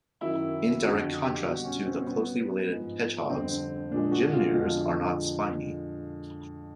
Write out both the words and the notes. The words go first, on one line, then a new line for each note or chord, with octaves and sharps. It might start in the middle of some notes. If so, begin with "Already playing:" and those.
In direct contrast to the closely related hedgehogs, gymnures are not spiny.
F#2 D#3 F#3 E4
F2 D3 F#3 F#4
G4
B2 G3 F#4
C#4
C4
B2 G3 B3
G#2 F3 G#3
F2 D3 G3 C4
A#2 F3 G#3 D4
F#4
F4
F2 D3 F3 G#3